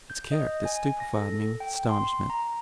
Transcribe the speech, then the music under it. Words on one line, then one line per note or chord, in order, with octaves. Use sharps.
Its character stupefied me with astonishment.
G6
D#5
G#5
A#6
A4
G5
C6
A#5